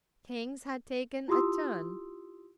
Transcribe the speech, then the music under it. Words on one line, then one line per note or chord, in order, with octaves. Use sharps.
Things had taken a turn.
E4 F4 G4 C6 D#6 E6